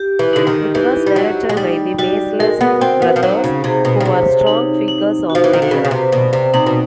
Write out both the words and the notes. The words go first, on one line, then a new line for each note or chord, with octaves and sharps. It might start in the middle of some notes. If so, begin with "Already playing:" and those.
It was directed by The Maysles Brothers who are strong figures of the era.
Already playing: G4
E3
D3 D#4
D#3
E3 G4
G3
F#3 D#5
G#3
G3 D#4
G3 F#4
G#3 A#4
B3
C4 F#4
B3
F3
F#3 D#4
C#3
C3 G#4
B2
C#3
C3 C#5
D#4
D#4
F#4
F3
E3
D#3
D3
C#3 B4
C#3
C3
B2 D5
C3
C3 D#4
B2